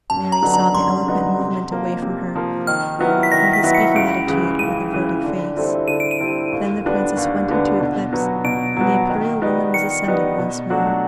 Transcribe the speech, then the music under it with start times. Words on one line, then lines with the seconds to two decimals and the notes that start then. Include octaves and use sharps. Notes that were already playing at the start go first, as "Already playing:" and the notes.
Mary saw the eloquent movement away from her and his speaking attitude, with averted face; then the princess went into eclipse, and the imperial woman was ascendant once more.
0.10 F#2 A5
0.32 A#5
0.42 D3 F#3 B3 D#4
0.54 A#5
0.74 F#2 C6
1.06 D3 F#3 B3 D#4
1.38 C3
1.71 F3 A#3
2.02 C3
2.35 F3 A#3
2.67 D#3 F6
2.99 F#3 B3 E4
3.23 B6
3.32 D#3 A#6
3.53 B6
3.63 F#3 B3 E4
3.74 C#7
3.95 C#2 D7
4.27 C#3 E3
4.59 C#2 D#7
4.92 C#3 E3
5.24 D3
5.56 G3 C4 E4 A4
5.88 D3 D#7
6.00 D7
6.11 D#7
6.20 G3 C4 E4 A4
6.52 D#2
6.85 D3 G3 B3 D4
7.17 D#2
7.48 D3 G3 B3 D4
7.80 B2
8.13 F#3 B3
8.44 B2 D7
8.77 F#3 B3
9.09 D#3
9.41 G3 B3 D#4
9.74 D#3 C#7
10.05 G3 B3 D#4
10.38 B2
10.70 F#3 A3 D4 F#4